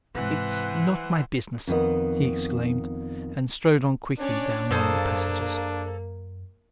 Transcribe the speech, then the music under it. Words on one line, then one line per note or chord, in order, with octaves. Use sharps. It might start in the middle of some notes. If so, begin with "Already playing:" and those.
"It's not my business!" he exclaimed, and strode on quickly down one of the passages.
G#2 C3 E3 B4 C5 F#5
F2 D#3 B3 D#5
C#4 D4 C#5 D5
F#2 A#3 G#4 A4 C5